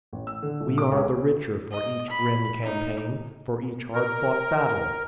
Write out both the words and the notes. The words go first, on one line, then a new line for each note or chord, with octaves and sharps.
We are the richer for each grim campaign, for each hard-fought battle.
A1
E6
D3
D#1
D6
C#2
D#5
B5
D#4
A#4